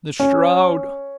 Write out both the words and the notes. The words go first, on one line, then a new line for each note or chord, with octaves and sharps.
The shroud!
C#4